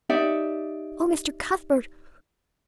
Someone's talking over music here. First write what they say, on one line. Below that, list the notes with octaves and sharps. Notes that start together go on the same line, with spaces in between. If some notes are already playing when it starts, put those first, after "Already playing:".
Oh, Mr. Cuthbert!!
D#4 G4 D5 E5